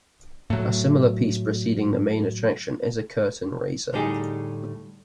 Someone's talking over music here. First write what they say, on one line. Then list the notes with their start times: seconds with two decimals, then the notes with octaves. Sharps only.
A similar piece preceding the main attraction is a curtain raiser.
0.50 A2 F#3
3.93 D2 A2 G3 D#4 G4 G#4